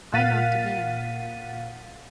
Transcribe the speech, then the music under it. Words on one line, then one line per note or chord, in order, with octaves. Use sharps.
I knocked again.
A#2 F5 F#5 A6 B6 D#7